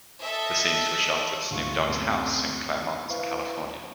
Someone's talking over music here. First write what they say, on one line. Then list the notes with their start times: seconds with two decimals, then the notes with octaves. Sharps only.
The scenes were shot at Snoop Dogg's house in Claremont, California.
0.22 A4 D#5 E5
1.51 D2 G#3 E4 F5 C6 C#6
1.89 B1 F#2 C4 G#4
2.51 C#6
3.09 E4 B4 C5 E5 F5 C#6